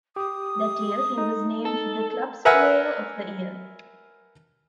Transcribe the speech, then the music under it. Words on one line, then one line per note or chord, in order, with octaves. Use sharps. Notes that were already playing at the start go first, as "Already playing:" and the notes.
That year he was named the club's player of the year.
G4 D#6
D#4
A4
A#4 B4 E5 F#5 G#5